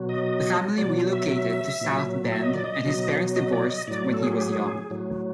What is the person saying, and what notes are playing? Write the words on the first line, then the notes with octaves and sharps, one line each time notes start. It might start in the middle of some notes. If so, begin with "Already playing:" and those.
The family relocated to South Bend and his parents divorced when he was young.
Already playing: B2 F#3
D#5
B2 F#3 D5
E5
E5
A#2 F#3
E5
D#5
D5
D#5
B2 F#3
D#5
D5
D#5
A2 F#3 D5
A4
G#4
G4
G#4
A2 F#3